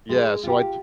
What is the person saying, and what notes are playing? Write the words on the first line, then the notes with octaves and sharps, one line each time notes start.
yeah, so, I t
G#3
F4 G4